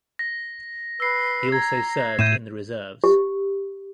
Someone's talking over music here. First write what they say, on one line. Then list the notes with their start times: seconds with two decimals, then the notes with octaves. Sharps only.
He also served in the reserves.
0.19 A#6
1.00 B4 E6 C7
1.52 A#5 G#6
2.19 A2 G6 D#7 E7
3.04 G4